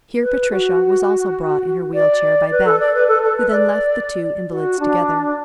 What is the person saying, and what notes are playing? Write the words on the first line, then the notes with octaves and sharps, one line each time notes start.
Here Patricia was also brought in her wheel chair by Beth, who then left the two invalids together.
B4
F#4
D5
B4
A4
D5
B4
A4
A4
B4
D5
F#4
D4